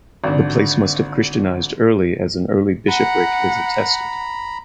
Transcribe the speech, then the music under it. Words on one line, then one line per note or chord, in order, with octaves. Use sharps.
The place must have Christianised early as an early bishopric is attested.
G#1 D3
F#5 A#5 B5